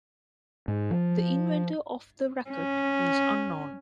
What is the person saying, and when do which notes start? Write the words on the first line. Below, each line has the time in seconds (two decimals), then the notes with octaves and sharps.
The inventor of the rackett is unknown.
0.68 G#2
0.91 F3
2.50 C#4